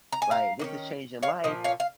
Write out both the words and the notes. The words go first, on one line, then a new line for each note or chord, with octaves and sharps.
like, this is changing life,
A#5
G#5
F5 A#5
D#3 A#3 C#4
C#5 F5
A#2 F3 D#5
C#5 F5
F5